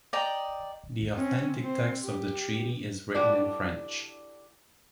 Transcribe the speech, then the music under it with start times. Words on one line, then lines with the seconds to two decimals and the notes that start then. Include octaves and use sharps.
The authentic text of the Treaty is written in French.
0.13 D5 D#5 G5 A#5
1.15 C4 C#4
1.60 C4 C5
2.04 G4
3.14 D4 E4 F#4 G4 A4 D5